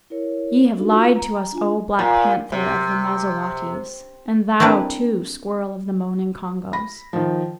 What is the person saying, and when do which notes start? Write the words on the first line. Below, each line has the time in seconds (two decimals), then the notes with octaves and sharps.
'Ye have lied to us, O Black Panther of the Mazawattees - and thou, too, Squirrel of the Moning Congos.
0.10 E4 A#4 C#5
0.76 D4 D#4 F#4 A4
0.93 F4
1.14 A#5
1.52 D4 F4 G#5
1.99 A#2
2.52 C3
4.60 A#3 C4 D4 E4 B4
6.73 B5 A#6
7.13 D#3 F3